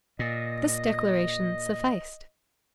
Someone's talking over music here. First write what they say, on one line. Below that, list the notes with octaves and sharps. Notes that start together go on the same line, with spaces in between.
This declaration sufficed.
A#2 D#5